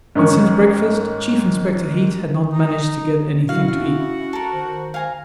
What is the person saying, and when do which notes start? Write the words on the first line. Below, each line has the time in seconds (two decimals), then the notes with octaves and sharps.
And since breakfast Chief Inspector Heat had not managed to get anything to eat.
0.15 G#2 D#3 C#4 C#6
2.52 D#4
3.49 F#3 E4 F#4 F5
3.68 C#4 F5
4.33 A4 A#4
4.52 D#3 C5
4.94 F5 G#5 A#5